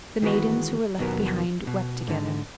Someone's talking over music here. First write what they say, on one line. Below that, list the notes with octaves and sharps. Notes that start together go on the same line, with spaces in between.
The maidens who were left behind wept together.
D#3 E3 G#3 B3 F#4
D#2 B2 F#3 B3 A#4
B2
G#2 D3